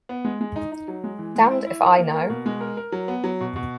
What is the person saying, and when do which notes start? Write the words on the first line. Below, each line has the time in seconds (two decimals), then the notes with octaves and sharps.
Damned if I know.
0.09 B3
0.25 G#3
0.41 G#3
0.56 D#4
0.72 D#4
0.88 F#3
1.04 G#3
1.19 E3
1.36 G#3
1.51 E4
1.66 E4
1.82 A#4
1.98 A#3
2.14 A#4
2.29 B2
2.46 G#3
2.61 A#4
2.77 A#4
2.92 F#3
3.08 B3
3.24 F#3
3.41 B2
3.56 B2